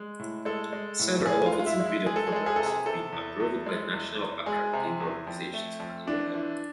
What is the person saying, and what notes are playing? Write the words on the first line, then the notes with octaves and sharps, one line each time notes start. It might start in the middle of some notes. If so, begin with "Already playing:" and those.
Several of its individual programs have been approved by national accrediting organizations as well.
Already playing: G#3
A2
G#3 A4
G#3
A2
A2 G#4
F4
G#3
F4
E4
G#3
E4
G#3 G#4
A4
G#4
G#3 A4
G#4
C3 A4
G#4
C3 A4
E2
E2
G#3
E2
E2
G#3 G#4
C3
E2
F2
A3
F2
E3 D4
E3